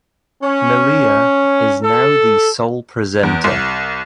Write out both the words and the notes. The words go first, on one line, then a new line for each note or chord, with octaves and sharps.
Malia is now the sole presenter.
C#4
A4
E2
C2